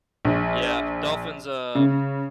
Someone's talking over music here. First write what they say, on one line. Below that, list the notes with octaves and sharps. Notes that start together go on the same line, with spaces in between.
Yeah, dolphins, um
A#1
C#3